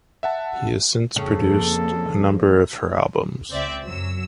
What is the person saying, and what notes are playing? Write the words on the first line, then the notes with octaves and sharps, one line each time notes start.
He has since produced a number of her albums.
E5 F#5 A5
F2 C#3 A#3 A4
C#2 C4 D5 E5
F#2 F#3 E6